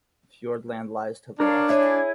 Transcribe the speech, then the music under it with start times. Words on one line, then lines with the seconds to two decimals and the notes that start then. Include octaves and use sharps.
Fiordland lies to the west.
1.40 D4 A#4 C#5 F5
1.69 E4 G#4 C#5 E5 G#5